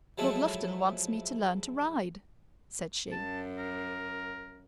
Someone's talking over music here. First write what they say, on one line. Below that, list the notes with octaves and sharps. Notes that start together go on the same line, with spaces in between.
"Lord Lufton wants me to learn to ride," said she.
F3 F#3 G#3 A3 E4
F#2 A5
A#4